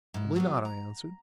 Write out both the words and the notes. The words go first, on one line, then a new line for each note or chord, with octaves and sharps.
"Probably not," I answered.
G#2 E4
F#3 G3 B3
A#5